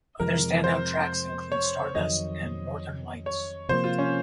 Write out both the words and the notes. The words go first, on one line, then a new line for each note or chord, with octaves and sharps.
Other standout tracks include "Stardust" and "Northern Lights".
F2 C3 F3 G#3 A#4
C5
C#5
F2 D#3 F#3 D#5
C#5
C3 F3 A#3 C5
F4
C#4